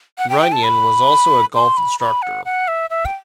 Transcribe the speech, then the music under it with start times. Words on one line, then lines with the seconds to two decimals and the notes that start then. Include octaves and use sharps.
Runyan was also a golf instructor.
0.18 F#5
0.30 G5
0.41 G5
0.52 A5
0.64 B5
1.55 C6
1.77 B5
2.00 B5
2.22 F#5
2.45 F#5
2.68 E5
2.90 E5
3.05 G5